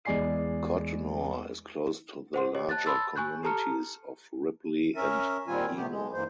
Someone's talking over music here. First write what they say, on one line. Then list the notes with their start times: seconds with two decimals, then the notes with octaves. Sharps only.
Codnor is close to the larger communities of Ripley and Heanor.
0.05 E2 G#3 D5 G#5 C7
2.34 C5 F#5 C6
2.55 G4 C#5 D#5
2.69 A5 F#6 A6
2.86 A5 B5 C6 E6 A6
3.16 G#5 C#6 F#6 G6
3.43 G4 A4 A5 A#5 F6 C#7
4.96 C#4 A#4 E5
5.47 A#2 D#3 G3 C4 F4 G#5
5.76 C3 A3 B3 G4
5.90 G#3
6.13 G2 E3 A#3 C5